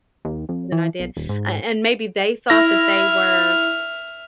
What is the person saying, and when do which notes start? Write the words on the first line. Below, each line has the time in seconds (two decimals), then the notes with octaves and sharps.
than I did, a and maybe they thought that they were
0.25 D#2
0.49 F2
0.72 E3
0.99 B1
1.17 D#1
1.29 G#2
2.50 E4 E5 F6 A#6